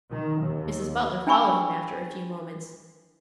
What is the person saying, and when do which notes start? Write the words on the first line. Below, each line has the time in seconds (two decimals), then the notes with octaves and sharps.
Mrs. Butler followed him after a few moments.
0.11 D#3
0.42 D#2
1.27 D4 G5 G#5 B5 C#6